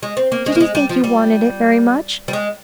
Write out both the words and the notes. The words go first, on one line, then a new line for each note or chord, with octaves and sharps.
'Did he think you wanted it very much?'
G#3
C4
A#3
G#3
A#3
G#3
G3
F3
G3
G3
G#3